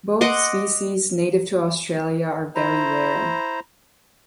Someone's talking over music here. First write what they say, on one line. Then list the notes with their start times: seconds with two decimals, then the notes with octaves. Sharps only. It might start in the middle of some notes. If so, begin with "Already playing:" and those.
Both species, native to Australia, are very rare.
0.21 D#5 F#5 C6 D6
2.56 E4 C5 A#5